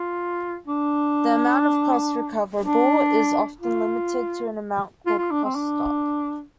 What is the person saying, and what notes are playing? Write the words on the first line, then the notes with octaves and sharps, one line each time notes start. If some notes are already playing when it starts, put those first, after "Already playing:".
The amount of costs recoverable is often limited to an amount called "cost stop".
Already playing: F4
D4
D4
F4
F4
F4
D4
C4
D4